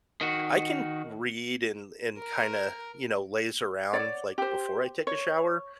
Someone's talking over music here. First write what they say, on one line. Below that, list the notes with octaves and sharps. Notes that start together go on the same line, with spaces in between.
I can read and and kinda, you know, laze around, like, before I take a shower,
D#3 F#4
A#4
C#5 D5 F#5
G4 C5
C#5